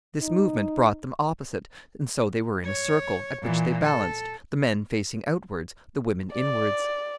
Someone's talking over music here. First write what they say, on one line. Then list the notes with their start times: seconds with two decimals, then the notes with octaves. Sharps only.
This movement brought them opposite, and so they were in a circle, at which they balanced, the men facing outwards, the women inwards.
0.21 D#4
2.65 C#5
3.42 A#2 E3
3.83 A4
6.33 D5